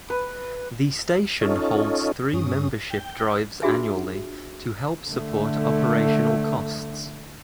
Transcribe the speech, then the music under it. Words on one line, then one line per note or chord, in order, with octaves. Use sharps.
The station holds three membership drives annually to help support operational costs.
B4
C#4 D#4 F4 A4 C#5 D#5
G2 C#4 D#6
G5
D4 F4 F#4 G#4 E5 G#5
D3 A3